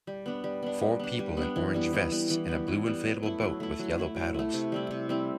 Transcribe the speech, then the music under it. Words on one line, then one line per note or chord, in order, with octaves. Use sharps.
Four people in orange vests in a blue inflatable boat with yellow paddles.
G3
B3 D4
G3
B3 D4
G3
B3 D4
G3
B3 D4
E3
G3 B3
E3
G3 B3
E3
G3 B3
E3
G3 B3
F#3
A3 E4
F#3
A3 E4
F#3
A3 E4
F#3
A3 E4
C3
G3 C4 E4
C3
G3 C4 E4